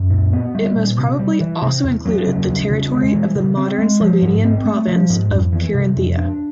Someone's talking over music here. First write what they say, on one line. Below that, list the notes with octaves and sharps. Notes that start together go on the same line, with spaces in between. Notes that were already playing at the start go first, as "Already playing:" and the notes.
It most probably also included the territory of the modern Slovenian province of Carinthia.
Already playing: F#2
A#2
B3
G3
A#2
C3
G3
E3
C3
E2
F#3
C#3
E2
C#3
G#3
E3
C#3
C4
G#3
F3
G#2
C4
A3
F3
G#2
F2
E3
C3
F2
D4